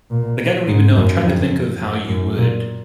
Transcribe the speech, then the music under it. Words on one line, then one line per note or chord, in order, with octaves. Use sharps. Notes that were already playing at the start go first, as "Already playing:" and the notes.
Like, I don't even know. I'm trying to think of how you would
A#2
G#2
F#2
F2
F#2
F#2
A#2